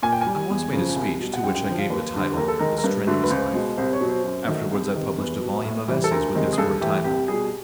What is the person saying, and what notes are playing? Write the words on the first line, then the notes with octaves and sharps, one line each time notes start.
I once made a speech to which I gave the title "The Strenuous Life." Afterwards I published a volume of essays with this for a title.
A#2 G#5
G5
G#5
G3
E2
C#3 F3
C2
B2 G3
F#5
F#2 G5
G5
D3 F3 G5
F5
D#2 B4
D3 G3
D#2 A#4
A4
D#3 G#3 A#4
A#4
G2 B4
D3 F#3 A3
B4
C#2 C5
B2 G#3
C2 C5
C#5
B2 F#3
C5
F#2
D#3 F#3 A3
C2
C3 D#3
E2 B4
B2 F#3
A2
E3 G3
A4
D2 A#4
C3 D#3 G#3
G#4
G2 A4
E3 A3 G4
C2 G4
B2 G3 G#4